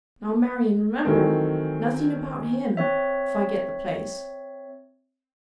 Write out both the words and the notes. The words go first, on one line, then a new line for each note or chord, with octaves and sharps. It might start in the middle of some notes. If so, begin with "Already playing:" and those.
Now, Marian, remember--nothing about HIM if I get the place.
D#3 E3 F#3 A3 C4
C4 C#5 E5